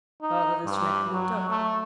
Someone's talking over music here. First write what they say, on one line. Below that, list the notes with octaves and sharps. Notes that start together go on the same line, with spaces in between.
Father De Smet looked up.
D#4
G2
F#3
A3